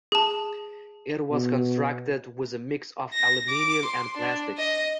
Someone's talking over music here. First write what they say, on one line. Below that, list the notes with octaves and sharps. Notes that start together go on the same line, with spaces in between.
It was constructed with a mix of aluminium and plastics.
G#4 A5
B2
A#6
D6
C6
D4
D#5